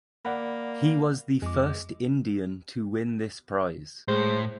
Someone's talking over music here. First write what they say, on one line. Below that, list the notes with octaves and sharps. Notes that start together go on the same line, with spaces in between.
He was the first Indian to win this prize.
A#3 D5 F#5 B5
F2 G#3 G#4 D6
A2 G#3 C5